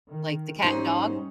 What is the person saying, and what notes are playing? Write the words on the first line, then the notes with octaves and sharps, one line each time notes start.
like the cat and dog,
D#3
G#2 G3 C#4 D#4 C5